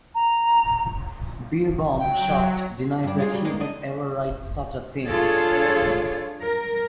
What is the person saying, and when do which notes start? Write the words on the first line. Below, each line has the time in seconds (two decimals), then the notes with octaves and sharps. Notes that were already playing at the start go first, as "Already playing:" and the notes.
Beerbohm, shocked, denies that he would ever write such a thing.
0.15 A#5
1.99 F#3 G5
3.03 G2 D4
3.18 G#3 F4 G#4
3.32 F#3 G3
3.44 G#3 A#3 B3
3.60 D4 D#4
5.06 D4 F4 G#4 A4 C#5
6.42 A#4